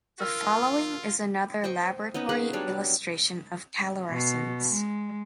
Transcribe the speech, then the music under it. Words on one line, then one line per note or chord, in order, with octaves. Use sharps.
The following is another laboratory illustration of calorescence.
F4 A#4 E6 F6
C5 D#5 G5 C#6
B3 C#4 D#4 D#5
G#4 B4 F5 F#5
F#3 G3 D4 C#5
B2
G#3